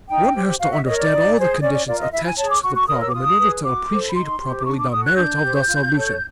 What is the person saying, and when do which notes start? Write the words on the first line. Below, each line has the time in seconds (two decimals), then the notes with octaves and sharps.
One has to understand all the conditions attached to the problem in order to appreciate properly the merit of the solution.
0.09 D#4 G5
0.34 G4 C5
0.60 F#4 F5
0.72 E5
0.85 A#4 C#5 D#5
0.98 D5
1.11 D#4
1.36 G#4 C5
1.61 C#4 D5
1.74 D5
1.87 F4 A#4 D5
2.00 D#5
2.12 E4 E5
2.25 G#5
2.37 C#5 A5
2.42 G#4
2.50 D6
2.63 F#4 C#6
2.75 C#6
2.88 A#4 C#5 D#6
3.01 E6
3.09 D6
3.14 F4 D#6
3.39 G#4 B4
3.64 F#4 D6
3.90 A4 C5
4.09 B5
4.15 D#4 C6
4.41 G4 C5
4.60 D6
4.66 D4 C#6
4.79 D6
4.92 F#4 A4 D#6
5.06 F#6
5.17 D4 G6
5.42 G4 C5
5.67 F4
5.93 A4 C#5